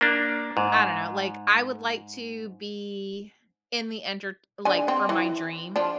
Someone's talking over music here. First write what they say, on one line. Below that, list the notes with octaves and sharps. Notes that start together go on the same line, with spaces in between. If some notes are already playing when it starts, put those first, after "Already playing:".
I don't know, like, I would like to be in the entert like, for my dream,
A#3 D4
G#2
D3 G#5
C4
E3
F3 D4